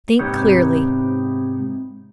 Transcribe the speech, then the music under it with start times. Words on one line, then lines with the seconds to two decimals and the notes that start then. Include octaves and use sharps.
Think clearly.
0.19 G#2 C3 B3 D#4 G4 C#5